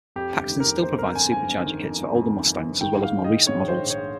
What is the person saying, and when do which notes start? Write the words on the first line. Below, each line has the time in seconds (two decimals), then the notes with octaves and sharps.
Paxton still provides supercharger kits for older Mustangs as well as more recent models.
0.16 F2 G4
0.33 G1
0.39 G4
0.49 D#3
0.60 A#4
0.65 F2
0.82 G1 C5
0.99 F2 A#4
1.15 F2 G#5
1.32 G1 G#5
1.49 G1
1.65 D#3
1.82 F2
1.98 G1
2.15 F2
2.31 D#3
2.47 G1
2.64 G1
2.81 D#3 G5
2.97 G#2
3.03 F5
3.13 G#2
3.24 D#3 D#5
3.47 G#2 C#5
3.64 D#3 C5
3.80 A#1
3.90 C#5